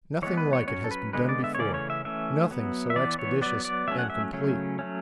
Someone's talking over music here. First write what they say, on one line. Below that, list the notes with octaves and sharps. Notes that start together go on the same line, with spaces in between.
Nothing like it has been done before; nothing so expeditious and complete.
E3 G#3 B3 C#5
B4
C#5
F#3 C#4 C#5
A4
B4
D3 G#3 B3 B4
D5
E5
C#5
C#3 E3 A3 C#4 D5
C#5
E5
E3 A3 C#4 E5
F#3 B3
E5
E3 B3 D5
C#5
F#3 B3 D5
D5
F#3 A3 C#4 E5
F#5
E5
C#3 F#3 A3 C#4
F#3 A3 C#4